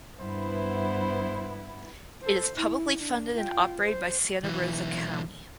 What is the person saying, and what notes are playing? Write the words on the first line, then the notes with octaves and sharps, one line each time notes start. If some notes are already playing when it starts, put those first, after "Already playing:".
It is publicly funded and operated by Santa Rosa County.
G2 B3 E4 C5
A4 C5
E4
D4
F4 G5
C5
B1 E3